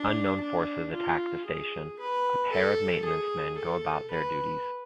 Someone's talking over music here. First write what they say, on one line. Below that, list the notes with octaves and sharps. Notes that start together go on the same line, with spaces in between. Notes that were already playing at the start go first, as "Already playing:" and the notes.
Unknown forces attack the station; a pair of maintenance men go about their duties.
Already playing: D4
D4
F4
G#4
B4
A4
G#4
A4
B4